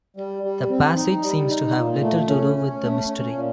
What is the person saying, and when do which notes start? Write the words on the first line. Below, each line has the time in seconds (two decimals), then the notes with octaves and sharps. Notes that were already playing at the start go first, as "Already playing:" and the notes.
The passage seems to have little to do with the mystery.
0.17 G3
0.43 G3
0.70 C4
0.96 D#4
1.22 G3
1.49 D#4
1.75 A#2
2.02 A3
2.28 C#4
2.55 C#4
2.82 A3
3.08 C#4
3.34 A#2